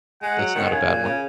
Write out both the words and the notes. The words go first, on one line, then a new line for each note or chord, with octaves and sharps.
That's not a bad one.
G#3 F#5
F#3
D#3
C#3 G#5
A#2
C#3